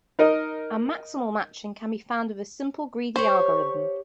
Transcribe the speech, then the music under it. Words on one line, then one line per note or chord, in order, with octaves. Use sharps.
A maximal matching can be found with a simple greedy algorithm.
D#4 A#4 D#5
G4 C5 C#5 C#6